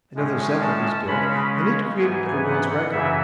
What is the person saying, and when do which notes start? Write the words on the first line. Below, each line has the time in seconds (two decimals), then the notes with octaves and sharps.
Another Zeppelin was built and it created a world's record.
0.15 A2 G#3 C#4
0.61 A5
1.07 C#3 G#3 C#4 B5
1.99 G#2 E3 B3 G#5
2.45 F#5
2.91 F#2 C#3 E3 E5